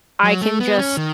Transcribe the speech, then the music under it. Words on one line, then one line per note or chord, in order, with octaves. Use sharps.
I can just
F#3
A3
B3
C#4
D#3